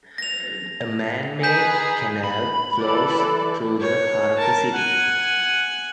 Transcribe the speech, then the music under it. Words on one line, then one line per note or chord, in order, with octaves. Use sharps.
A man-made canal flows through the heart of the city.
A#6 F7
D#4 G#4 B4 G6 B6 E7
B5
E3 A4 D5
C#5
A#4 A5
F#5 G#5